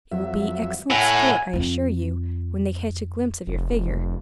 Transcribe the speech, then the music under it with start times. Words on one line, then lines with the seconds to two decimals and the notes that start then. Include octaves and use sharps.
It will be excellent sport, I assure you, when they catch a glimpse of your figure.
0.12 F2 F#3 E5
0.90 A2 C#5 E5 F#5 G#5
1.53 F2 F4
3.47 F1